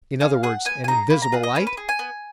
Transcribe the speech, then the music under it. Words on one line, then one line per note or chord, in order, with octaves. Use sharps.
"In other words, an invisible light?"
C#4 F5
G#4 F#5
B3 G#5
G#5
D#4 G#4 A#5
A#3 B5
A#5
F4 G#4 F#5
D#5
C#4 B4
B4
G#4
G#5
B3